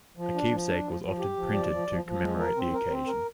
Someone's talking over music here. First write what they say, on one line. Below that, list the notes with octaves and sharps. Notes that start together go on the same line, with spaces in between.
A keepsake was often printed to commemorate the occasion.
F3
D4
F3
D4
F3
F3
G4
F3
D5
F3
F3
F3
G#3
A#4
C4
A#4
C4
A#4